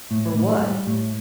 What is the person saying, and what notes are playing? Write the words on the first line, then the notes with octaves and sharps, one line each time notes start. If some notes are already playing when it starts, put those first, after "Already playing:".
"For what?"
A2
A2
G3
A2